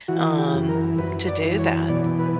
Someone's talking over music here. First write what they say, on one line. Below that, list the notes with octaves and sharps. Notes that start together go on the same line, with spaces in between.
um, to do that,
E3 F#4
G4
F#2
A#4
F#2 B4
D5
E3
C#5
B2 D5
B4